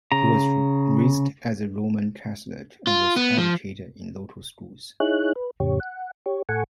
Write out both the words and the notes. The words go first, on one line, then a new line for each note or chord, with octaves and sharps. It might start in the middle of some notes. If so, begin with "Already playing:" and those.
He was raised as a Roman Catholic and was educated in local schools.
C#3 A#5
F4
B3
F3
D#4 E4 G#4 C#5 F#6
B4
F2 A2 C#3 G4 C#5
F#5
G4 C#5
A2 A4 F#5 G#5 C#6